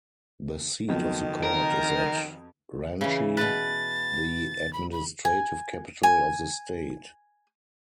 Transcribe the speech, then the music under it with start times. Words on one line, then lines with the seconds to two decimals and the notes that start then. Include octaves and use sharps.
The seat of the court is at Ranchi, the administrative capital of the state.
0.89 F2 D#3 F#3 B3
1.43 A#4
3.01 C#3 E3
3.37 B2 B4 A6
4.73 B5
4.92 B5
5.25 G#5
6.03 G#5